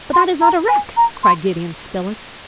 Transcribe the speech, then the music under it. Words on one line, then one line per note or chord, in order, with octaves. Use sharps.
"But that is not a wreck!" cried Gideon Spilett.
C6
A#5
G#5
A#5
C6